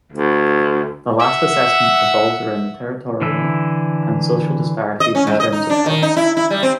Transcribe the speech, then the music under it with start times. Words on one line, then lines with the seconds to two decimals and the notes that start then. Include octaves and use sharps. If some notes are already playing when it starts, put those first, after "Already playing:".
The last assessment revolves around the territorial and social disparities in terms of health.
0.13 D2
1.19 E5 F#5
3.22 D3 E3 E5
5.00 D#5
5.15 C#4
5.27 G#2
5.40 D#5
5.52 D#4
5.70 D4
5.86 D#3
6.02 D#4
6.17 E4
6.37 E4
6.50 G3
6.63 C4